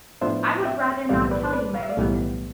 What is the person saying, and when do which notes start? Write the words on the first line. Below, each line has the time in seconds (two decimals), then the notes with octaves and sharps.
"I would rather not tell you my reasons."
0.21 A2 F3 B3 D4 C5 E5
0.65 E5 G5
1.09 B1 A2 E3 G3 B3 D5 F5
1.31 B4 D5
1.45 C5
1.53 B4 D5
1.75 F5
1.83 E5
1.89 D5 F5
1.97 B1 A2 E3 G3 B3